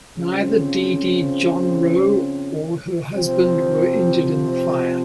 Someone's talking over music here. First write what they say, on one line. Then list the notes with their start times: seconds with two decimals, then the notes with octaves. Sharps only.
Neither DeeDee Jonrowe or her husband were injured in the fire.
0.16 C#3 F3 C4
3.15 C3 F3 C4